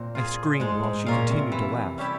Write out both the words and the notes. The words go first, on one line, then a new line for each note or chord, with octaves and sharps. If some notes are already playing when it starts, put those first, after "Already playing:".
I screamed while she continued to laugh.
Already playing: A#2 C4
F4 G#4
G#2 G#3
G#2
A#2 C#4 F4 A#4 F5
C3
E3
G3 C#4 E4 G4